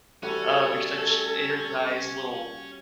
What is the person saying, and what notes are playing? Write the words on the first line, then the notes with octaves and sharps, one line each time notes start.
Oh, they're such energized little
G3 A3 C#4 F#4 A4